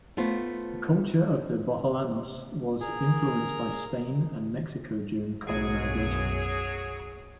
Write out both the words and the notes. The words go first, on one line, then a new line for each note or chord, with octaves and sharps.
The culture of the Boholanos was influenced by Spain and Mexico during colonization.
A3 B3 F4 C5
G#4 A#4
B1 F#2 F#3 G#4